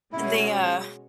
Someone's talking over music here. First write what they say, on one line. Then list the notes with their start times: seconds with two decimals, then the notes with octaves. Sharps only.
they, uh
0.12 B2 G#3 C#4 E4 F#4 C#5